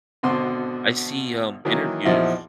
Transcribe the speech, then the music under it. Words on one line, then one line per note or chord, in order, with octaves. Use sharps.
I see, um, interviews
G#1 B2 D3 C4 F#4 C6
D#3 E3 F#3 A#3
A#1 E2 F3 D#4 E4 F#4